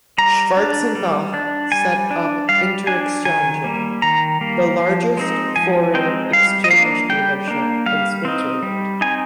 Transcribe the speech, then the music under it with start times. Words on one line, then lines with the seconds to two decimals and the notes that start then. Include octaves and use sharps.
Schwarzenbach set up Interexchange, the largest foreign exchange dealership in Switzerland.
0.18 G3 A#5
0.57 D4
0.95 G3
1.34 D4
1.72 G3 G#5
2.11 D4
2.49 G3 F5
2.87 D4 G#5
3.25 D#3 G#5
3.64 G3 A#3
4.02 D#3 A#5
4.41 G3 A#3
4.80 F3
5.17 G#3 C4 D#4
5.56 F3 G#5
5.94 G#3 C4 D#4 G5
6.32 G3 F5
6.64 D#5
6.71 A#3 D4 F5
7.09 G3 G5
7.48 A#3 D4
7.86 G3 F5
8.25 C4 D#4
8.62 G3
9.01 C4 D#4 G#5